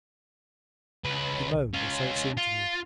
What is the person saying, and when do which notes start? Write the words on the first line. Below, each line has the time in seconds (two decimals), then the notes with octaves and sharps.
He moaned, or so it seemed to me.
1.04 C#2 B4
1.74 C#4 F4
2.37 F4